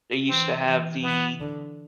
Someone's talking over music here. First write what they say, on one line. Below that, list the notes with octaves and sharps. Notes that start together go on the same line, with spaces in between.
they used to have the,
E3 C4
E3
E3 B3
D3